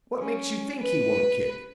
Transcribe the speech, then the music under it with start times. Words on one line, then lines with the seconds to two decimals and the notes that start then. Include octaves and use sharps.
"What makes you think he won't kick?"
0.20 C#4
0.81 B4